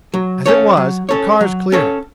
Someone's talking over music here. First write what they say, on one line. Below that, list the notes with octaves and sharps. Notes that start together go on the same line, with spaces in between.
As it was, the cars cleared it.
F#3
C#4 A4 C#5
F#3
C#4 A4 C#5
F#3
C#4 A4 C#5